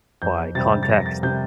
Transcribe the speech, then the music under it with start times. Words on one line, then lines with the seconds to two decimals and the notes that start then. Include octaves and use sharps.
by context,
0.22 F2 G6
0.55 C3 G3 C4 A6
0.83 A6
0.89 F2 A#6
1.06 A6
1.23 C3 G3 C4 G6